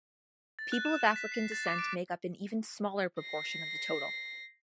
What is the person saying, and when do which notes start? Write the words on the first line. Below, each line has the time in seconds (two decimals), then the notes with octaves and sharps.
People of African descent make up an even smaller proportion of the total.
0.59 A6
0.72 F#6
0.85 E7
1.01 E7
1.16 B6
1.32 C7
1.52 A6
1.67 D6
1.79 D7
3.21 A#6 C7